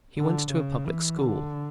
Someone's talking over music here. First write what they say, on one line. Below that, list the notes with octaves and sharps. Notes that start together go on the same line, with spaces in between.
He went to a public school.
D3
C#3
E3
D3